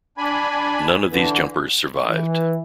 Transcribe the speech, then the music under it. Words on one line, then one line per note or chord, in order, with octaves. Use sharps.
None of these jumpers survived.
D4 G#5 B5
D3 E3
E3